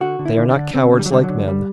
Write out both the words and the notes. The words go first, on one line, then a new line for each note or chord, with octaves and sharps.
They are not cowards, like men.
D3 F#4
D3
E4
D3
D4
D3
D3 C4
D3
G3
F#3
D3 G3
F#3
D3
G3